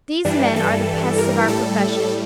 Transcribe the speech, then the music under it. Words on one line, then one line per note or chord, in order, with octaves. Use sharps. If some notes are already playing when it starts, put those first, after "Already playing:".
These men are the pests of our profession.
G2 E3 G3 D4
A4
A#4
A2 G3 A4